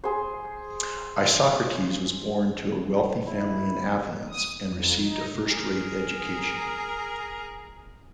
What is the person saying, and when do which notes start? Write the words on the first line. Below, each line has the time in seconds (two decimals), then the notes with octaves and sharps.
Isocrates was born to a wealthy family in Athens and received a first-rate education.
0.04 G#4 C5
3.25 E4
4.30 D#6
4.64 F2
5.03 D#4
5.50 G#4 A#4